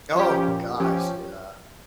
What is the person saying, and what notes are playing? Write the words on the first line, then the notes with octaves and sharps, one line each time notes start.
Oh, gosh, yeah.
F3 C#4 G4
A#2
F3 C#4 G4